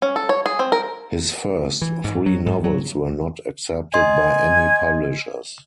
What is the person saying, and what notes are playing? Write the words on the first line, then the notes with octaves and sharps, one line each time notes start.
His first three novels were not accepted by any publishers.
C#4
A4
C#5
G#4
C4
A#4
E3
G#2
F#3
G#2
F#3
D#5 G#5 C6